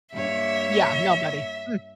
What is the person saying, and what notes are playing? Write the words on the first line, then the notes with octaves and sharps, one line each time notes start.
Yeah, nobody. Mm.
G2 A#3 C#5 E5